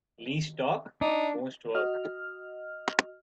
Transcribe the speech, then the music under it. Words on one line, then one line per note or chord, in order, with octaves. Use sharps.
Least talk most work.
D4 D#4
F#4 D#5 F6